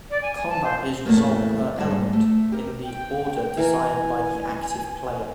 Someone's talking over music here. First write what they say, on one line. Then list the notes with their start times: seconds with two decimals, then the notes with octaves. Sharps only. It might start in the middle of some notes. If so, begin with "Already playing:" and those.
Combat is resolved per-element, in the order desired by the active player.
0.10 D5
0.22 G#5
0.34 G#5
0.48 A5
0.64 C5
1.06 E2 A2 E3 A3 A#3
1.78 G#2 G3 A5
2.13 A3
2.52 G4 A#4
2.83 G5
3.57 E3 A#4 G#5